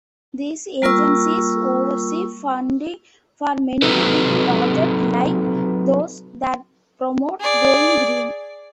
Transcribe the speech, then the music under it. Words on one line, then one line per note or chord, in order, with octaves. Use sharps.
These agencies oversee funding for many big projects like those that promote going green.
G3 A#3 F4 A#4 C#6 E6
F#3 C4 D#4 G4 A4 B4
G#4 D5